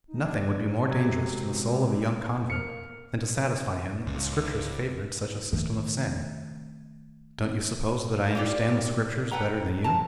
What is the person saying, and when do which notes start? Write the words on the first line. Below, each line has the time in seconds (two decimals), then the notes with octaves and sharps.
Nothing would be more dangerous to the soul of a young convert than to satisfy him that the Scriptures favoured such a system of sin." "Don't you suppose that I understand the Scriptures better than you?
0.08 D#4
0.25 D4 G#6
0.88 C3 F#3 B3 G#6
1.06 G#3
2.50 A#3 F6 C#7
4.07 C#2
5.53 D#3 A3
8.35 A#3 F4 G4 D5
9.31 A4 B4 F#5 G5 A#5
9.84 A2 A5 A#5